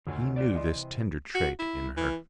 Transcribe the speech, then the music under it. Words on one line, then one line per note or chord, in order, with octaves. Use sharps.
He knew this tender trait in her.
D2 C#3 F4 G#5
F4 D5
E3 D#5 C6
C3
F#4
E4
E3